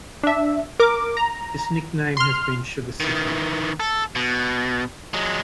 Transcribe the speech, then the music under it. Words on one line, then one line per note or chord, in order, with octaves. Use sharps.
Its nickname has been "Sugar City".
D4 E5
A#4 D6
A#5
C6 F6
D#3 E3
A4
B2
F#3 G#3